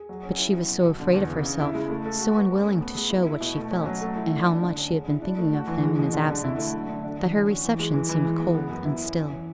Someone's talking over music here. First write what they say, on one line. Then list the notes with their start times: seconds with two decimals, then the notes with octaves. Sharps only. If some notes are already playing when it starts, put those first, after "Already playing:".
But she was so afraid of herself, so unwilling to show what she felt, and how much she had been thinking of him in his absence, that her reception seemed cold and still.
Already playing: G#4
0.09 F#3
0.23 C#4
0.39 E4
0.53 F#3
0.69 B2
0.84 B2
1.00 D3
1.14 E2
1.30 C#3
1.45 C#3
1.60 E4
1.74 G#3
1.90 A3
2.06 A4
2.20 F#4
2.36 B4
2.51 C#4
2.66 A3
2.81 B3
2.95 G#3
3.10 E4
3.26 E4
3.40 B2
3.56 A3
3.71 C#4
3.86 F#3
4.01 A3
4.16 E4
4.32 D4
4.47 D4
4.62 D3
4.77 C#4
4.92 G#3
5.07 E4
5.22 D4
5.38 A3
5.53 F#4
5.67 E3
5.83 G#3
5.99 B2
6.13 D3
6.29 D3
6.44 E4
6.58 A3
6.74 F#3
6.88 D3
7.04 D4
7.19 E3
7.34 C#4
7.50 F#4
7.64 E3
7.79 G#3
7.94 E3
8.09 E3
8.25 G#3
8.40 B3
8.55 B3
8.70 F#2
8.85 E4
9.01 C#4
9.15 C#4
9.31 E3